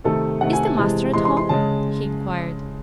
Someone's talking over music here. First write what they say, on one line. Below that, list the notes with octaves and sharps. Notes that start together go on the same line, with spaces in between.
"Is the master at home?" he inquired.
C3 D#3 A3 A4
C3 D#3 A3 F#5
G#5
A5
C3 E3 G#3 A5
C3 E3 G#3 C6
C6
C6
C#3 G#3 A5